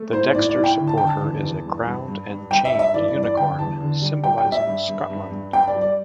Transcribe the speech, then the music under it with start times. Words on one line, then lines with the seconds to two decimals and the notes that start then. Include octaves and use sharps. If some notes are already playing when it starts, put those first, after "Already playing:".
The dexter supporter is a crowned and chained unicorn, symbolising Scotland.
Already playing: A3
0.13 A2 C5
0.35 A2 D5
0.49 D5
0.56 A2
0.64 G5
0.78 D3
0.87 A5
0.98 D3 G5
1.07 A5
1.21 E2
1.43 E2
1.65 G2
1.86 G2
2.08 G2
2.29 G2
2.51 G2 G5
2.65 E5
2.72 G2
2.79 E5
2.94 E3 D5
3.08 D5
3.15 G2
3.23 D5
3.37 D3 G5
3.59 E2 A5
3.80 D3
4.02 G3
4.24 G3 G5
4.38 G5
4.45 G3
4.52 E5
4.67 G2
4.88 G2
5.10 G2
5.31 G2
5.53 G2 G5
5.67 D5
5.75 G3
5.81 D5